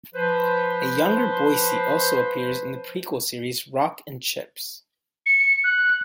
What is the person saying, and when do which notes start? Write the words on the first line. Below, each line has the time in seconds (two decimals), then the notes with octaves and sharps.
A younger Boycie also appears in the prequel series "Rock and Chips".
0.14 F3 B4 C5
5.26 C#7
5.64 F#6